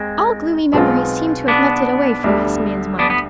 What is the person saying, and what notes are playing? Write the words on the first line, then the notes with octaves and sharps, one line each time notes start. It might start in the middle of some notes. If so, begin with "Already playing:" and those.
All gloomy memories seemed to have melted away from this man's mind.
Already playing: D#2 G#3 C4
B1 B2 G#3 C4 F4
B3 D4
D2 D3 G3
B3 D4
B3